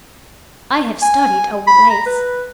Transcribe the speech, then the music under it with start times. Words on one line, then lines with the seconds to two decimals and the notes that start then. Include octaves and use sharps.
I have studied old lace.
1.03 G#5
1.68 B5
1.91 A#5
2.07 B4